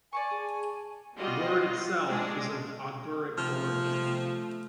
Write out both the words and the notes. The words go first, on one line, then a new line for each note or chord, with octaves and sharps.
The word itself is of Oghuric origin.
D5 G#5 A5 C#6
G#4
G3 F4 F#4 D#5
G#3 D4
C3 F3 A3 F6